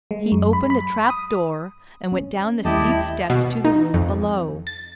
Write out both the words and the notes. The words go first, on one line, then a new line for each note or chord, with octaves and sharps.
He opened the trap-door, and went down the steep steps to the room below.
G#3
F#2
B5
B5
D#6
C#4
D#2 G3 A3 E4 G4 D#5 A5
B2
D#4
F2
A6